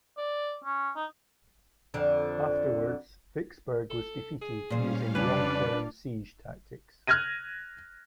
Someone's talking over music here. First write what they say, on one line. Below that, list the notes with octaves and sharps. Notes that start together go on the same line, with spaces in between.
Afterwards Vicksburg was defeated using long term siege tactics.
D5
C#4
D#4
F2 D3
A4
G#4
A#2 G3 C#4 C5 F5
F2 C#3 D4 B4 D5
F6 F#6 G#6 A#6 D#7